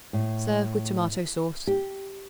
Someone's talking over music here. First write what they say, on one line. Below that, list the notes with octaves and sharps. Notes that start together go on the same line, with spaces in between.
Serve with tomato-sauce.
A2
G4